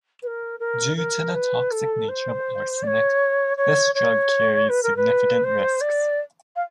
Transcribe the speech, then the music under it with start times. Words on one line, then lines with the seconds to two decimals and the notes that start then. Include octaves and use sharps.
Due to the toxic nature of arsenic, this drug carries significant risks.
0.22 B4
0.27 A#4
0.59 A#4
0.96 A#4
1.34 B4
1.71 A4
2.08 C5
2.83 D5
2.87 C#5
3.57 C#5
3.94 C#5
4.69 B4
4.83 A#4
4.96 B4
5.43 C5
5.81 D5
6.55 F5